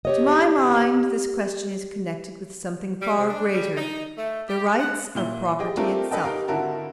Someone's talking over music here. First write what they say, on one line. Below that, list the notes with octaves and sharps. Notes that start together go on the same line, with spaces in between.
"To my mind this question is connected with something far greater, the rights of property itself."
G4 C#5 D#5
G3
C3
D4
G3
D#4
A3
G4
F#5
A#2 E4 G7
G4 G#4 D#5 G5
A3 C4 D4 F4 G4 A#4
D4 A4 B4 D#5 G5 A5
D#4 G4 A#4 F5
G#1 D3 E4 F#4 A#4 A5